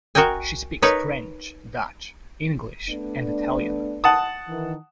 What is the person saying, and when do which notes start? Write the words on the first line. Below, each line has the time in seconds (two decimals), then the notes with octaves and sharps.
She speaks French, Dutch, English and Italian.
0.15 F#4 A#4 D#5 G5 G#5
0.82 D#4 A#4 B4 C#5
2.89 A3 B3 D4
4.04 F#5 A5 D#6
4.48 D#3 E3